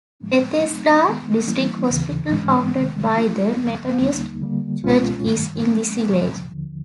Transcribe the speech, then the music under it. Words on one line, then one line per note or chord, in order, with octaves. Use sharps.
Bethesda district hospital, founded by the Methodist Church is in this village.
A2 F3 G#3
F#3 A3 C4 D#4
D#3 G#3 B3
E3 G3 A#3 C#4 E4
D#2 C#3 E3
G#2 E3 G#3 C#4
C2 C3 D#3 G#3
F3 A3 D4 F4
D#2 D3 F#3
D#2 D3 G3 A#3 D#4
D3 G3 A#3
C#2 B2 G#3 C#4 F4
G2 D#3 G3
F3 G#3 C#4
D#2 C#3 F3
D#2 D3 F3